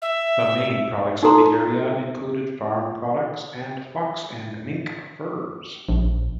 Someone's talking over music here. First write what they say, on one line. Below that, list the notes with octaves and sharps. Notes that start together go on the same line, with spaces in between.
The main products of the area include farm products and fox and mink furs.
E5
D#4 F#4 A4 A#5 C6
A#1